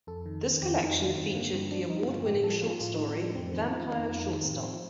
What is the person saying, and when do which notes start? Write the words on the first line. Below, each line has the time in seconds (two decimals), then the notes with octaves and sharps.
This collection featured the award-winning short story "Vampire Shortstop".
0.07 F2 A4
0.26 D#3
0.44 D#3
0.62 F2 G4
0.80 F2 D#4
0.99 D#3 D4
1.17 G2 C4
1.35 D3 A#3
1.53 G2 C4
1.71 F3 D4
1.89 G2 D#4
2.07 D3 F4
2.26 A2 G4
2.44 F3 A4
2.62 F3 F4
2.81 A2 F4
2.94 D#4
2.99 A2
3.08 C4
3.17 F3
3.22 D4
3.35 F2 C4
3.53 D#3 C4
3.71 D#3 F4
3.90 F2 D#4
4.08 F2
4.26 D#3
4.44 A2 C4
4.62 F3 C4